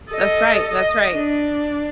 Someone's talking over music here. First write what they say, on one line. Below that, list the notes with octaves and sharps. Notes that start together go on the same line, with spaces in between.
That's right, that's right.
A4 D#5
D#5
D4